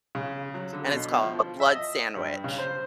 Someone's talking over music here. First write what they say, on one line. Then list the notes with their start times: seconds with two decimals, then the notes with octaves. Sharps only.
and it's called Blood Sandwich,
0.15 C#3
0.54 F#3
0.73 D3
0.91 B2
1.23 F3
1.60 E5
1.75 D#5
2.16 G2
2.44 C#3
2.58 C5